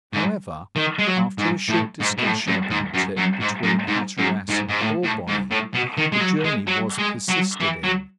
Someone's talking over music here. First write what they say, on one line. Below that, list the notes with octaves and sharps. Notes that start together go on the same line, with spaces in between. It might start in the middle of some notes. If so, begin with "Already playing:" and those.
However, after a short discussion about it between Hatteras and Clawbonny, the journey was persisted in.
G#2
D#3
G#3
F#3
G#2
A2
G#2
B2
A2
F#2
G#2
F#2
F#2
G#2
F#2
G#2
F#2
G#2
G#2
A2
A2
G#2
A2
B2
D#3
G#3
F#3
G#3
F#3
G#3
F#3
E3
F#3